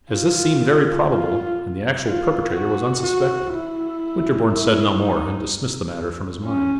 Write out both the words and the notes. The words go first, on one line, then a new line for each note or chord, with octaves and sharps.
As this seemed very probable, and the actual perpetrator was unsuspected, Winterborne said no more, and dismissed the matter from his mind.
F4
F4
F4
F#4
F#4
E4
E4
D#4
C#4